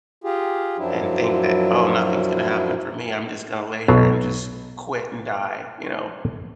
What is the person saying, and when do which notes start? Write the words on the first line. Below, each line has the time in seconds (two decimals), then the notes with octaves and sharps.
and think that, "Oh, nothing's gonna happen for me, I'm just gonna lay here and just quit and die," you know?
0.24 F4 G4 G#4
0.78 F#2 F3 F#3 D4 E4
3.88 B1 B2 F#3 F4